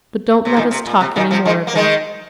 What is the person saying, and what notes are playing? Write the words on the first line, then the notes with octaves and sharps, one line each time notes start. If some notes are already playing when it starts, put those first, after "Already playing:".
"But don't let us talk any more of it."
C3
A#2 D#3
C3
A#2
C3
A#2 D#3
C3 F3
D#3 G#3
A#3
D#3 G#3